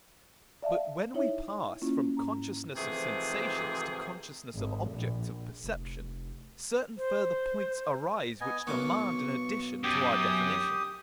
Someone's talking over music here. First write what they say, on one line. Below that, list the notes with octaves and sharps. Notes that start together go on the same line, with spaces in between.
But when we pass from consciousness of sensations to consciousness of objects of perception, certain further points arise which demand an addition to our definition.
D5 E5 F5 A5
D#4 E4 C#5 E5
A#3 C#4 E4 F4
G#2 A#5
G#2 C3 E3 F3 A3 G#4
G#1
A#1
F1
C5
B3 D#5 G#5
B1 A#3 B3 C#6
F#2 G4 D#6